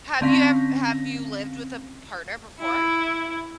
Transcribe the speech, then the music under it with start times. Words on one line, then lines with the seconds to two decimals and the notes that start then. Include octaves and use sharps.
Have you ev have you lived with a partner before?
0.21 D3 C4 C#4 F5 A#6 B6
2.59 E4